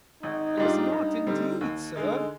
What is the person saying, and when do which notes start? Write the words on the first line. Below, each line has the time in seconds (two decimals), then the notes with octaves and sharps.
'I was not, indeed, sir.'
0.23 G#1 D#4
0.57 G#2 G3 D4 F4
0.92 G2
1.27 D3 G3 C4
1.61 D#2
1.96 D3 G#3 D#4